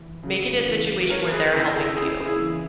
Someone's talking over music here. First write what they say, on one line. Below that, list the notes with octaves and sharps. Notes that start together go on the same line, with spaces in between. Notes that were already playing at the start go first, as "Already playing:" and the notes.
make it a situation where they're helping you.
Already playing: E3
C#3
E3
E3 A#4 C#5
G#4 B4
C#3 E4 G#4
E4 G#4
C#3 E4 G#4
E4 G#4
E3